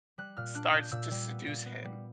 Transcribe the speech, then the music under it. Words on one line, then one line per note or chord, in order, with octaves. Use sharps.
starts to seduce him.
G3 F#6
A#2 F6
D4 F#6
A#2 G6
A#2 E6
G3
B3
A#2
B3
G3